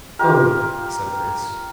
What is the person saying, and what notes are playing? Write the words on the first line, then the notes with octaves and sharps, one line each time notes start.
"No," said Grace.
F4 G4 A#4